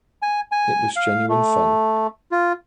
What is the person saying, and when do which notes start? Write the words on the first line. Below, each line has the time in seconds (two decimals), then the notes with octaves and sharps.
It was genuine fun.
0.22 G#5
0.52 G#5
0.96 F5
1.29 A3
2.32 F4